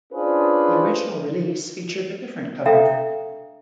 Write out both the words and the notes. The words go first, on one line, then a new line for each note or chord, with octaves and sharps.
The original release featured a different cover.
C#4 D4 F4 G#4 B4 C5
D4 A4 E5 F5 G5 A#5